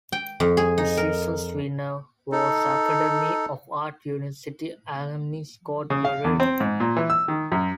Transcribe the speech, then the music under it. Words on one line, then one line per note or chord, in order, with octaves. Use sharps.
The season's winner was Academy of Art University alumni Scott Borrero.
G5
F2
G#4
D#4
A#4
D#4 A4
C#3
F5
E2
C4
G#2
A#2
E3
E6
D#3
F#2